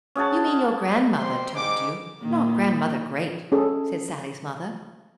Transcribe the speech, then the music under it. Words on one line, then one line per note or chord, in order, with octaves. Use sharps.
"You mean your grandmother told you; not Grandmother Great," said Sallie's mother.
C#4 G#4 F#5 A5
G3 C4 C6
G#2 G3 D6
A#2 D#3 A#3
C#4 G#4 A4